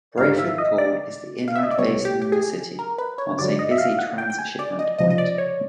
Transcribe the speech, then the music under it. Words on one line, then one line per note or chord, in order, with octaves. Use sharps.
Brayford Pool is the inland basin in the city, once a busy transhipment point.
A#1 G#2 D#3 G3 F5
E5
D#5
D5
F5
E5
D#5
D5
C2 B2 G3 B3 C#5
G4
G4
G#4
A#4
B4
C#5
G2 D3 F#3 D5
D#5
E5
F5
F#5
G5
G5
G#5
D5
D#5
C#2 C3 F3 D#5
D#5
D5
C#5